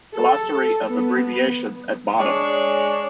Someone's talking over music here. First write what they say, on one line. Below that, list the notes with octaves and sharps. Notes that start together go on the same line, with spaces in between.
Glossary of abbreviations at bottom.
A4
B3
G#3 D4 C#5